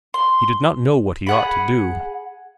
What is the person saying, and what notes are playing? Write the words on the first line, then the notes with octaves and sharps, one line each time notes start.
He did not know what he ought to do.
C6
G#4 F#5 B5